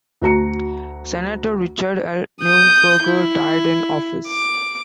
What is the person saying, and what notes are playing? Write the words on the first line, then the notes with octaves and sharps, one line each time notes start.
Senator Richard L. Neuberger died in office.
D2 F#4 A#5 C#7
D#6 G6
E4
D6